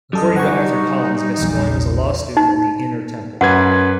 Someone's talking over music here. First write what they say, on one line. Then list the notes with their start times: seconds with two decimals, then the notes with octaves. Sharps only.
According to Arthur Collins, Gascoigne was a law student at the Inner Temple.
0.13 F#2 G3 A4 D#5
0.36 D#4 F#5 G#5 C#6
1.38 A#1 E2
2.37 D#4
3.41 F#2 B4 F#5 G#6